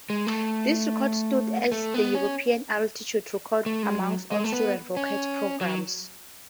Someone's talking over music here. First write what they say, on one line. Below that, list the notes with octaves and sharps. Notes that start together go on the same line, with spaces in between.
This record stood as the European altitude record among all student rocketry programs.
G#3
A3
A3
B3
C#4
A3
G#3
F#3
G#3
A3
B3
C#4
F#3